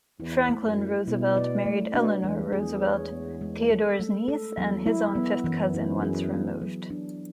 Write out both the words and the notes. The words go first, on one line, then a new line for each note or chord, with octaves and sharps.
Franklin Roosevelt married Eleanor Roosevelt, Theodore's niece and his own fifth cousin once removed.
E2 E4
A3
F#2
E4
B2 E4
D5
A3
B2 D4
E2 G#3
E2 G#4
C#5
B3
G#3
A4
A3
A4
E2 F#3
E4
E2
B3
F#2 E3
E4
G#4
B3
F#3
D4